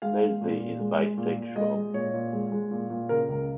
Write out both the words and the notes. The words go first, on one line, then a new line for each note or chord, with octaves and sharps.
Leslie is bisexual.
G#3 F5
G#3
A#2
A#2
G#3
G#3
A#2
A#2
G#3 D#5
G#3
A#2 C#5
A#2
G#3
G#3
A#2
A#2
C#3 A#4
C#2